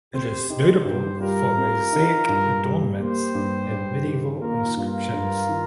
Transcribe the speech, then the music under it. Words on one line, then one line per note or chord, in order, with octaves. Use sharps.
It is notable for mosaic adornments and medieval inscriptions.
C4 G4 C5
D#4 G4 C5
G2 G4 C5
G3 F4 A#4
C4
D#4
G2
G3
A#3 G4 C5
G2
G2
D#3
A#3 F4 A#4
G2 F4 A#4
G2
D#3